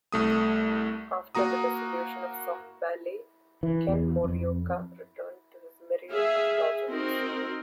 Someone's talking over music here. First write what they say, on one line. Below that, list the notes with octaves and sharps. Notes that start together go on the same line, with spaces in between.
After the dissolution of Soft Ballet, Ken Morioka returned to his myriad of projects.
C2 A3 D#6
A#3 F#4 A#5 D#6
E3
E2
F2
G#4 E5 F5
C4 D#4 F#4 A#4